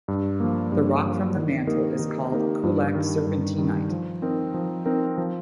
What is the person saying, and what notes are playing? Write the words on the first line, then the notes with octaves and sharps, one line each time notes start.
The rock from the mantle is called Coolac Serpentinite.
G2
F3 A#3
G2
F3 A#3
D#3
A#3 D#4 G4 A#4
D#3
A#3 D#4 G4 A#4
G2
D#3 G3
G2
D#3 G3
F3
C4 D#4 A#4
F3
C4 D#4 A#4
F3